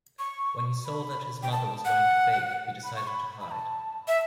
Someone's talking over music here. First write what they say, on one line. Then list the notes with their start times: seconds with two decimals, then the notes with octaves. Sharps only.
When he saw that his mother was going to bake, he decided to hide.
0.19 C#6
0.85 B5
1.43 G5
1.51 A5
1.85 F#5
2.84 B5
2.96 C#6
3.07 B5
3.40 B5
3.51 A5
4.08 E5